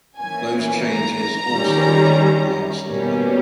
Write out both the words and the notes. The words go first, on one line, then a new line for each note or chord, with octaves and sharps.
Those changes also didn't last long.
E3 A#3 C#4 G#5
A#5
D#3 G3 C#4
B2 G3 A#3 C#4